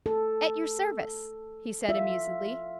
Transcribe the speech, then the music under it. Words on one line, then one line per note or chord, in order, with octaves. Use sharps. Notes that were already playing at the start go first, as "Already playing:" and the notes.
"At your service," he said amusedly.
A4
F4 E5